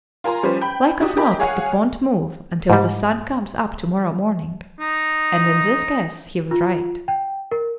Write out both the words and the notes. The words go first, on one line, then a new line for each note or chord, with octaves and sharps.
"Like as not it won't move until the sun comes up tomorrow morning," and in this guess he was right.
F4 A#4 G#5 A#5 C6
F3 G3 C#4 G4 B4 C5
G5 B5
D4 F#4 G4 D#6
G4 G#4 A#4 D#5 B5
G#4 C#5 F5 F#5 G#5
G#2 G3
D#4
F4
G5
A#4